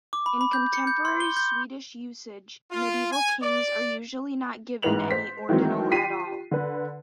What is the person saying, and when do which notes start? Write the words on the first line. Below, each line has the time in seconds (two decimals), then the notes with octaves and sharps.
In contemporary Swedish usage, medieval kings are usually not given any ordinal at all.
0.13 D6
0.26 B5
0.41 B5
0.53 G6
0.73 C#7
0.87 G6
1.05 C6
1.20 G7
1.36 G6
2.71 F4
3.12 G#5
3.43 D5
4.82 A1 G#2 E3 B4 F7 F#7
5.11 C5 B6
5.49 D#3 E3 F#3 G#3 C4
5.91 F4 G4 G5 B6 C7 D#7
6.51 D3 B4